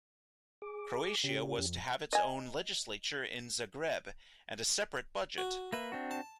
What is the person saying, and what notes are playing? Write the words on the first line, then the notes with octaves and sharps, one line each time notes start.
Croatia was to have its own legislature in Zagreb, and a separate budget.
G#4 D6
C#3 C#4 G4
F2
D#5 G#5
F#4
A#3 B4 E5
C4 D4 F#4
A5